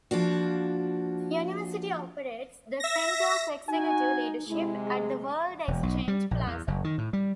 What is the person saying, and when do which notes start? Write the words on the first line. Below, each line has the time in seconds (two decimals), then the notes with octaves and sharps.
The university operates the Centre for Executive Leadership at the World Exchange Plaza.
0.11 F3 A#3 D4 F#4
2.80 E5 A#6
3.68 D#4 F#4 G#5
4.48 C3 G#3 E4
4.85 G#4
5.68 E1
5.83 B1
6.08 G3
6.31 A#1
6.46 E2
6.68 F#1
6.84 D#3
6.98 A2
7.13 G3